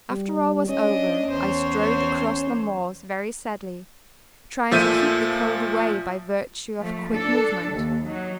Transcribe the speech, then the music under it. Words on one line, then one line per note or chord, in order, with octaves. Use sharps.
After all was over, I strode across the moors very sadly; trying to keep the cold away by virtue of quick movement.
G3
C#4 D4 D#5
E2 C5 C#5
A#2 F3 A3 E5 G6 D#7
F3 A3
D4 A4
D#2
F#3 D#4